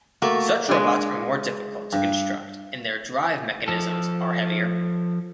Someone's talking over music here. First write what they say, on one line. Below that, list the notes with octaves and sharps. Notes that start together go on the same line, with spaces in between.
Such robots are more difficult to construct and their drive mechanisms are heavier.
A3 A#3 F#4
G#3 D4
G2
F3 A4